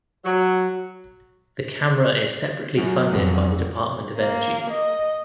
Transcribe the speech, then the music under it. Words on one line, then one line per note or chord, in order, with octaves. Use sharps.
The camera is separately funded by the Department of Energy.
F#3
F#2
F2
A#3
D#5